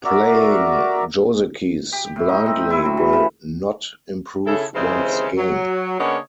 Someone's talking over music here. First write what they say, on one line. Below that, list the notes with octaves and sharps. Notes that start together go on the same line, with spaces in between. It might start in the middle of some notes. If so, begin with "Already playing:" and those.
Playing "josekis" blindly will not improve one's game.
F#4 A#4 D5 E5 A#5 D6
G4
A2
D#4
C4
E4
F#3
E3
C#3
C#3 E4 A4
D#2 C#3 E3 G#3 C4 C5
F#3
C#3 A#3 B3 D4 C#5 D#5